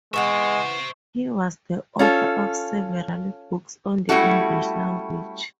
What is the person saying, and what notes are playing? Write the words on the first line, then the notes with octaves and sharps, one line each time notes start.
He was the author of several books on the English language.
E3 G#3 B3 C5 E5 F#5 C#6
C#4 F4 A4
G3 A3 C#4 E4 F#4 A4